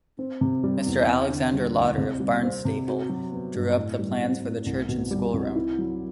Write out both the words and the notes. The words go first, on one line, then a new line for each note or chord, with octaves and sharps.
Mister Alexander Lauder of Barnstaple drew up the plans for the church and schoolroom.
C4
C3
G3
E2
C4
D3
G3
D2
C3
G3
C4
C3
F#4
F#3
B3
G2
A2
G3
C4
A2
C2
B2
G3
C2
E4
F#3